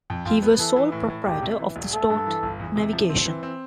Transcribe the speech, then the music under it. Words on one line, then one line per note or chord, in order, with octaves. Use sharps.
He was sole proprietor of the Stort Navigation.
F2
F2 F4
B3
E3 A4
E3
A2
A2
E1 G4
C3
E3
E1
A3 A4
G2
E3
G1
E2
C3
F3
C4
E3
C4